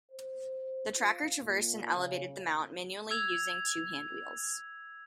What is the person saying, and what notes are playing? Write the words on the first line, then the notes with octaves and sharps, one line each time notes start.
The tracker traversed and elevated the mount manually using two handwheels.
C5
F4
A#2
C#3
E6 G#6 F7